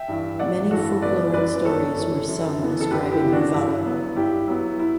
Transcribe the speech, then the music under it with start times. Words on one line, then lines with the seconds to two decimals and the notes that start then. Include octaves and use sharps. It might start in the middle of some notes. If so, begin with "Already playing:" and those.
Many folkloric stories were sung describing her valour.
Already playing: E5 G5
0.08 G2 E3
0.39 A1 D5 F#5
0.71 G2 E3 F#4 A4
1.02 G1 B4 D5
1.33 F#2 E3 B4 D5
1.65 G1 A4 C#5
1.96 F#2 E3
2.28 F#2
2.59 C#3 E3 B3
2.81 A4
2.91 F#2 G4 B4
3.12 E4 G4
3.22 C#3 E3 B3
3.33 D4 F#4
3.54 G2 E4
3.85 F#3 B3
4.16 G2 E4 G4
4.48 F#3 B3 E4
4.79 E4